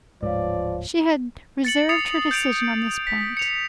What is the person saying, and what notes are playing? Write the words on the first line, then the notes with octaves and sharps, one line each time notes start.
She had reserved her decision on this point.
D1 G#2 F3 G#3 B4 C#5 D5 F5
A6 C#7 F#7
D#6 A6 C7 C#7 F7
G6 D7 F7
B6
C#7 F7